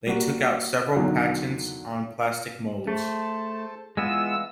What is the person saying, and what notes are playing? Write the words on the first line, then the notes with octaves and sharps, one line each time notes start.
They took out several patents on plastic molds.
G3 A#3 F#4
E2 B2 D3 D#3 F#3
A3 G#4 A4 C5 A5
E3 G#3 B3 F4 E6